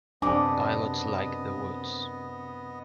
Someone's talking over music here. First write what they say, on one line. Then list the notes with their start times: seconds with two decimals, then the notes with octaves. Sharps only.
Pilots like the woods.
0.22 F#2 C3 B3 D4 D#5 G#5 D6